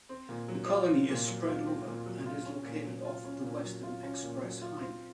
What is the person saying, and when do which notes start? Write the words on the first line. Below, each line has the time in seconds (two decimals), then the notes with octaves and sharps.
The colony is spread over and is located off the Western Express Highway.
0.09 C4
0.29 A#2
0.48 F#3
0.68 F4
0.88 C4
1.08 A#2
1.27 F#3
1.47 F4
1.67 C4
1.86 A#2
2.06 F#3
2.26 F4
2.45 C#4
2.65 A#2
2.85 F#3
3.05 F4
3.25 C#4
3.44 A#2
3.63 F#3
3.83 F4
4.03 C#4
4.23 A#2
4.42 F#3
4.61 F4
4.81 C4